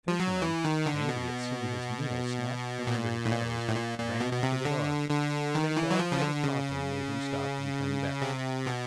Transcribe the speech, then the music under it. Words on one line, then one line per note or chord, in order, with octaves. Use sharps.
The Fisherman, angry at seeing his meal snatched from under his nose, ran after the Dog, but a bad fit of coughing made him stop and turn back.
F3
F#3
E3
D#3
D3
B2
A#2
A2
A#2
A2
A#2
A#2
B2
B2
C3
D3
D3
D#3
E3
F#3
F3
C#3
D3
C#3
C3
B2